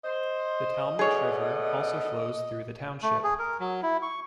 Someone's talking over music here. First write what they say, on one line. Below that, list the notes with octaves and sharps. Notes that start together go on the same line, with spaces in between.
The Talmadge River also flows through the township.
C5 D#5
B2 A3 G#4 C#5 D5
A3
G#4
A#4
F#3
E4
C#6